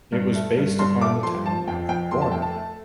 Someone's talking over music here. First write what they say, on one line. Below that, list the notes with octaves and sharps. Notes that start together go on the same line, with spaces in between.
It was based upon the town of Borna.
G2
A3
G2
G2 C6
A3 D6
F3 C6
F3 A5
F2 G5
F2 G5
F2 C6
A5
A3 G5
A5
A3